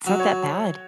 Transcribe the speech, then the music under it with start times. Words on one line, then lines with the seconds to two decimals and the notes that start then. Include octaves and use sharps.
it's not that bad.
0.07 F#3 F#4
0.20 C#5